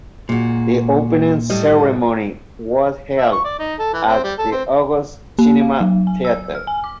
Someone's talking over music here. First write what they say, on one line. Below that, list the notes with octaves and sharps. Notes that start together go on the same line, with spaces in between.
The opening ceremony was held at the August Cinema Theater.
A#2 G#3 F#4
A2 G3 D#5
E5
C#6
D5
D#4
A4
E3
C4
G3
A4
C4
A#3
F5
F#3
G#5
E6
F6
G#5
D6